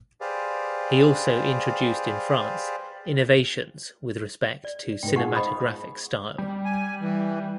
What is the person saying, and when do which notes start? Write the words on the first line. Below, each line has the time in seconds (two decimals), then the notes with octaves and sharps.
He also introduced in France innovations with respect to cinematographic style.
0.21 G4 G#4 B4 C5 D5 F5
4.65 D5
5.03 G#2 B3 G5
5.16 D#4 F4 G#4 F5 F#5 C#6
5.35 C5 D#5 B5 D#6
6.38 G3
6.65 G#5
7.00 E3